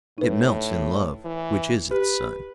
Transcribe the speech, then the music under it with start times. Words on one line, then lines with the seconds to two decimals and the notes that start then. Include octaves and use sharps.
It melts in love, which is its sun.
0.18 A2 D#4 B4
1.24 E3
1.91 G4 B4